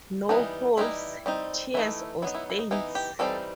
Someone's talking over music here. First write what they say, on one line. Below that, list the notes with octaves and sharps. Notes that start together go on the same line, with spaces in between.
No holes, tears, or stains.
E3 G3 B3 D#4
E3 G3 D#4 E4
G3 C4 D#4
E3 A3 D#4 E4
F#3 B3 D#4 E4
E4
E4
D#4
E3 B3 D#4 E4
G4
E3 G3 C4 D#4 A4